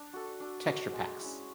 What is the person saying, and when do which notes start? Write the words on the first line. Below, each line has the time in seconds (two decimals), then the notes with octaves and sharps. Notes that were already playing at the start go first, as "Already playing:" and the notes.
texture packs.
Already playing: D4
0.13 F#4 A4
0.40 D4
0.67 F#4 A4
0.93 G#3
1.20 C#4 E4